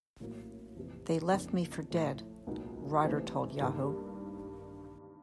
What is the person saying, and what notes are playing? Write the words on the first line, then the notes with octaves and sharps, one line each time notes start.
They left me for dead, Rider told Yahoo!
A1 A2 F#3 A#3
F2 C3 E3
F2 C#3 F3 A#3 D#4
A2 F3 A3
C#2 B2 F#3 A#3 D#4
C3 E3 A3 C4 D#4
G2 D#3 G3 A#3 D4